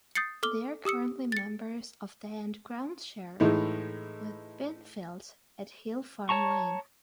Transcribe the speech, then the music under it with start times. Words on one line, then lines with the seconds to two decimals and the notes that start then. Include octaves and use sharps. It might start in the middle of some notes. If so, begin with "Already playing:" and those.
They are currently members of the and groundshare with Binfield at Hill Farm Lane.
0.15 D#6 G6 A6 C7 C#7
0.43 A4 D6 F6 G7
0.85 G4 D#6 E6 C#7
1.32 A6 C#7
3.40 A2 E3 G#3 D#4
6.29 C#5 A5 A#5 C#6